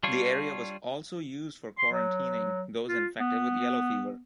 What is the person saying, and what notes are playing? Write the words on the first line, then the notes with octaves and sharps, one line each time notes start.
The area was also used for quarantining those infected with yellow fever.
G3 D4 F4 C#5
C6
F#3
F4
B3